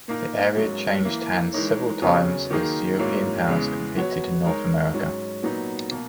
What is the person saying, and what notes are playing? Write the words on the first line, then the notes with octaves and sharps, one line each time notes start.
The area changed hands several times as European powers competed in North America.
A#2 A#3 D#4 A#4
G#2 F#3 A#3 C#4
E3 A#3 E4
E3 G#3 D#4 A#4 C#5
E2 C#3 F#3 C#4
D#3 F#3 A#3 D#4 G#4
G#2 F#3 A#3 C#4 E4
E2 C#3 E3 G#3
F#3 B3 F#4 C#5
G#3 D#4 A#4 C#5
G#2 F#3 C#4
A#2 F#3 B3 D#4
B2 A#3